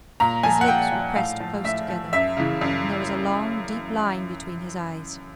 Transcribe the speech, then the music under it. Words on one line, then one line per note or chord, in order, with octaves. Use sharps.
His lips were pressed close together, and there was a long deep line between his eyes.
A#2 A#5
F3 G#5
F#5
A#2 G5
F3
A2 F5
F3
A2 E5
F3
F#2 E5
C#3 E3
F#2